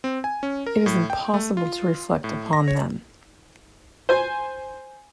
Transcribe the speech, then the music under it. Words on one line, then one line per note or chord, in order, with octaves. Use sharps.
It is impossible to reflect upon them.
C4
G#5
C#4
A#4
A2
G5
A3
F4
A2
A#6
C#5
C5 G#5